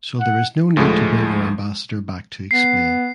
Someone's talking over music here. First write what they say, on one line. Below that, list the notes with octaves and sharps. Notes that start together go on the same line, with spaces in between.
So there is no need to bring our ambassador back to explain.
F#5
D2 A2 F3 G#3 A3
B3 C7